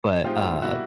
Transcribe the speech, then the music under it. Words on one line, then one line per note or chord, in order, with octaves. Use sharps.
But, uh,
A2 F3 G#3 C4 D#4 F4 G4
B2 G3 A#3 E4 F#4